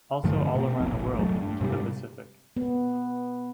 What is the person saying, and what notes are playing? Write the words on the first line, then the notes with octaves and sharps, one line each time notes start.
Also all around the world into the Pacific.
G2 D3 F3 A3
B2 C4
F1 A#1 F2 A2
G#1 F#3 A3
G2
G#2 C3 F#3 G3
B3